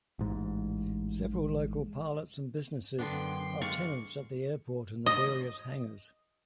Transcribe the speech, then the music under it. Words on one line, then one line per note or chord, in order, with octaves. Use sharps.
Several local pilots and businesses are tenants at the airport in the various hangars.
A1 G#2
F#2 D3 B3 D4 G5 C6
G#3 D5 F5 C#6
D#5